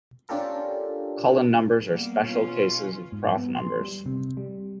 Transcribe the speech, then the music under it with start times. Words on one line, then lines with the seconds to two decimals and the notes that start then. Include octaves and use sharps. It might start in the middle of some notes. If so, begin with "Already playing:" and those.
Cullen numbers are special cases of Proth numbers.
0.29 C#4 D4 F4 G4 A4 A#4
1.88 G3 A#3 B3
2.21 B2 C#4 F4
3.12 G#2
3.37 B3
3.56 C6
3.81 G3
4.06 C3
4.37 G3